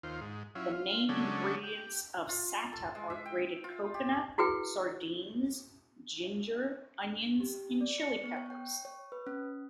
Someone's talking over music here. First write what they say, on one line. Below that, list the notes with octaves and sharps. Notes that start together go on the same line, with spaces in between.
The main ingredients of sata are grated coconut, sardines, ginger, onions and chili peppers.
D#2 F4 C5
G#2
F#3 C#4 E4 F4
F4
C#3 F#3 G#3 A3 C#4 D4
G4
F4
A4
G#3
E5
G5
F4
G4
E4 F#4 G#4 B4 G5
G4
D5
C#7
B3
C#5
G5
C#5
B4
C#4